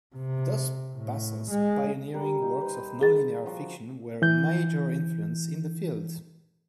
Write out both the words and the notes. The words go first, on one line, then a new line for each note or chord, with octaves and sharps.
Dos Passos' pioneering works of nonlinear fiction were a major influence in the field.
C3
A2
G#3
G3 A#4
D#4
B4 C5
G#4 A6
F3 F#4
E3 G6